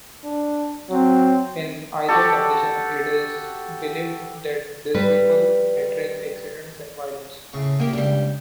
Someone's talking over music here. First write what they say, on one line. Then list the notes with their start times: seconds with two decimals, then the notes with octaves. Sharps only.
In either condition, it is believed that these people attract accidents and violence.
0.24 D4
0.89 F#3 C4
2.08 F#4 G4 A4
4.94 G3 B4
7.53 A2 C#3 C#6
7.80 A#3 G4
7.93 C#2 G2 G3